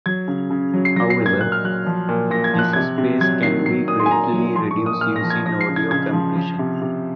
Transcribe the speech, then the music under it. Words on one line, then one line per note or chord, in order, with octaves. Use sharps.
However, this space can be greatly reduced using audio compression.
F#3 G#6
C#3
C#3
F#3
C7
F#3 A#6
C7
A#2
G#6
A#2 F#6
F6
F#3 F#6
F3
A#2
A#2 A#6
G#6
F3
F#6
C3 G#6
C3
F#3 G#6
D#3 C7
F#3 C7
A#2 D#6
C6
G#5
A#2 A#5
F#3
F3 C6
C#6
A#2
D#6
A#2 F6
A#6
F3
G#6
F3 A#6
C7
C#3
G#6
C#3 G#6
F3
F3
C3
C3